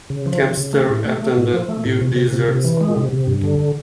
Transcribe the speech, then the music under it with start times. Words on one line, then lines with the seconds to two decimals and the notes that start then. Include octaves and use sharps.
Kempster attended Beaudesert School.
0.10 C#3
0.26 F3
0.42 C#3
0.57 C#3
0.73 A3
0.90 A2
1.05 A3
1.22 A3
1.38 A2
1.53 F3
1.69 A3
1.85 A2
2.01 C3
2.16 C3
2.33 C3
2.48 C3
2.64 E3
2.81 G#3
2.96 C3
3.12 C3
3.27 G2
3.44 D3